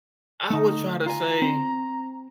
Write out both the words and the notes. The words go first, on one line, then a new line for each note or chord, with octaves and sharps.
I would try to say
D3 A3 D#4
F4 G#5 A#5
C4